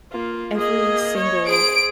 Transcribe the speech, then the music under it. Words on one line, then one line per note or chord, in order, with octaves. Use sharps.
every single
A#3 F4
A#3 G#4 D#5
C#5
G#4 C5 D7